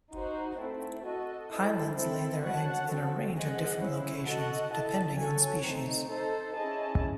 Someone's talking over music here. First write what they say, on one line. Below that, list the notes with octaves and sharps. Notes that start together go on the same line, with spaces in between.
Hylids lay their eggs in a range of different locations, depending on species.
D#4 F#4 C5
A3 C4 E4
F#4 A4 D#5
E4 A4 C5
C4 E4 A4
F#4 C#5 F#5 A5
C4 F#4 A4
G#4 C5 D#5 F#5
C#4 E4 C5
F#4 A4 D#5 F#5
E4 A4 D#5 A5
F#4 A4 C#5 G#5
A3 C4 D#4
D#4 A4 C5
C#4 E4 G#4 D#5 A5